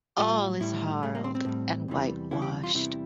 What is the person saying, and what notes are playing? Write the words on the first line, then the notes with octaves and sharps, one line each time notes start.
All is harled and whitewashed.
A2 G3 F4
A2 G3 E4
A2 G3 A3
A#3
C4
C4
A2 G3
E2 C3 E3 G3
E2 C3 E3 G3 E4
G4
F4
E2 C3 E3 G3 E4